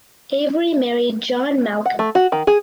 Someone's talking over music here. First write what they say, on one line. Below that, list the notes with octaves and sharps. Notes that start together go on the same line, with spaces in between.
Avery married John Malcolm.
F#5
A3
F#4
D#3
G#4